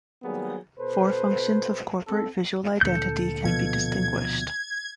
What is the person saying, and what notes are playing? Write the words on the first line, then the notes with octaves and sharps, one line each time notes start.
Four functions of corporate visual identity can be distinguished.
D#3 F#3 G3 A#3 B3 G#4
B2 A4 B4 C5
C4 A4
D2 A#2 D3 A4 G6
B2 F3 G#6